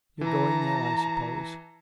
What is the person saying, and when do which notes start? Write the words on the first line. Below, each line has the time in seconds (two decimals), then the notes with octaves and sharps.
You're going there I suppose.'
0.21 E3 A5 A#5